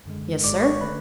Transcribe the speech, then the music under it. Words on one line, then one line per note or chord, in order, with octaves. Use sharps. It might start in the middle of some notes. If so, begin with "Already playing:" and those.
"Yes, sir."
F#2 D3 G#3
G#1 G#2 G#3 D5 D6
C#5 C#6
D3 A3 B4 B5